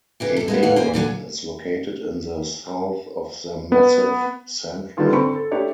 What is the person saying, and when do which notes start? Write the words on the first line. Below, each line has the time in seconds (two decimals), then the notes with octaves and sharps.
Aveyron is located in the south of the Massif Central.
0.20 C#3 E3 G4
0.37 F#2 A4
0.48 G#3 A#3 B3
0.62 D#2 A2 E3 A4 F5 F#5
0.76 A#3 C5 G#5
0.94 A#2 D3 F#3 G#5
3.72 B3
4.97 D3 D#3 G3 B3 F4 G#4
5.12 D3 C4 B5 C#6 C#7
5.35 A4
5.51 A3 D4 E4 G4 C#5 D5